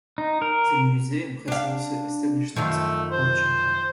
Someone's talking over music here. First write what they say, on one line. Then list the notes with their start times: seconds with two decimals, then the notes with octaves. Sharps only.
The museum has also established a sculpture park.
0.18 D#4
0.42 A#4
1.48 D4 F5
2.56 F#2 D#3 F3 A3
3.12 C5